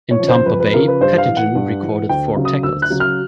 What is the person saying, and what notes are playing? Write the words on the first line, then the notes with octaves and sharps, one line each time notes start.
In Tampa Bay, Pettijohn recorded four tackles.
C#5
C#3 F3
C5
F2 B4
B4
C#3 F3 A#4
B4
G2 C5
F5
E3
F#5
G2
E3
D2 G5
C#3 F#3
D#6
D2 E6
F#6
C#3 F#3
F6